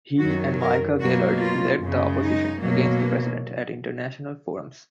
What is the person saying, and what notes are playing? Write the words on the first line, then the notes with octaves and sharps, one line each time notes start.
He and Micha Gaillard led the opposition against the President at international forums.
F#2 D#3 F#3 F#4
A#4
B2 F#3 A#3 F#4
F4
F#2 C#3 G#3
D#4
B2 F#3 A#3